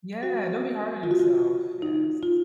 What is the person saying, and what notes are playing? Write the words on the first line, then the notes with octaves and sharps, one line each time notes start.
Yeah, don't be hard on yourself, yes.
F#4
F4
F#4
F4
D#4
F4